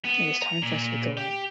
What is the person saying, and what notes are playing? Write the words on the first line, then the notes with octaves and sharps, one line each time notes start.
It is time for us to be going.
B3
A#5
A#2
G4